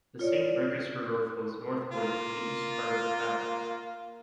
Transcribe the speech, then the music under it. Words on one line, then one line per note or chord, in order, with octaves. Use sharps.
The Saint Regis River flows northward through the east part of the town.
F4 C#5 D5
A#3 F4